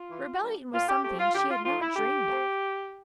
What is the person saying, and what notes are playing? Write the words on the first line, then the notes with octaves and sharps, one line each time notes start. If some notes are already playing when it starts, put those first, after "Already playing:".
Rebellion was something she had not dreamed of.
Already playing: F4
E3
G3 A#3 D4
A#2 F4
G4
A3 C4 G4
F4
D3 G4
F4
F3 A3 F4
E4
D3 G4
A3 C4